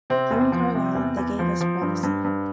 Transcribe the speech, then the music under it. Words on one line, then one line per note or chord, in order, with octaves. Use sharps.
Here in Carlisle they gave us privacy.
C3 C4
E2
F3
C3
E2
E2
F3
F3
G2
G2
G2